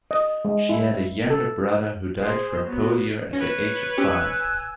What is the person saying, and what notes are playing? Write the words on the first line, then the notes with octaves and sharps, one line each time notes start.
She had a younger brother who died from polio at the age of five.
D#5
G#3
E4
A4
G#4 C5
F#3 B3
C#4 B4 C#5 A#6
C4 C#4 G4 G#5 E6 F#6